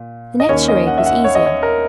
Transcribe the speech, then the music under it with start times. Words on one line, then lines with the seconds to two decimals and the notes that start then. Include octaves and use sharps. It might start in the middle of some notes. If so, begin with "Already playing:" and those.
The next charade was easier.
Already playing: A#2
0.40 D#5
0.49 D#2 D#3 A#3 C#4 C#5
0.68 D#5
0.87 F#5
0.98 E5
1.06 F#5
1.24 C#5
1.35 D#5
1.46 C#5
1.63 A#4